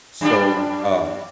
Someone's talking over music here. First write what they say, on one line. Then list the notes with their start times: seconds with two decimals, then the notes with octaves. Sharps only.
so, um
0.21 F#2 G3 D4